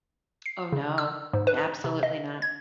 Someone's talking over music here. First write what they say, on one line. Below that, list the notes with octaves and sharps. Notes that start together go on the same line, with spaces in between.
Oh, no, n absolutely not.
C7
C#3
E6
G#2
B4
C3
D#5
G#6